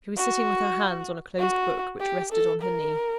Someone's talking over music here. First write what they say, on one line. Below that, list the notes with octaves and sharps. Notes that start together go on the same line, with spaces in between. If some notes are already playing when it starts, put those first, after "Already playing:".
She was sitting with her hands on a closed book which rested on her knee.
F#4
F#4
G4
A4
A#4